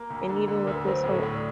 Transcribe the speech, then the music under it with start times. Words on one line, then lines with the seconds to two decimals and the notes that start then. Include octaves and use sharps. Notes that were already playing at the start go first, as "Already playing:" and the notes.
and even with this whole
Already playing: A#3
0.10 D2
0.29 D3
0.48 D3
0.64 D2 A#4
0.75 B4
0.86 F#3 C5
1.04 A2
1.10 A4
1.23 A2
1.35 D5